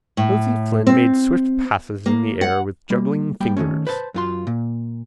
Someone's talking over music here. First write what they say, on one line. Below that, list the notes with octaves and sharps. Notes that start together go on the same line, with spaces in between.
Nosey Flynn made swift passes in the air with juggling fingers.
A2
C4
A#3
F#5
G3 A#3
G3 A#3 G5
D#3 F3 A3 C#4
B4 C5 A5
F#2 F4 C6
A#2